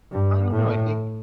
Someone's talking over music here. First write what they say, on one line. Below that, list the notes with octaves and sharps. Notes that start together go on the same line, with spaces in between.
I don't know. I think
G2
A2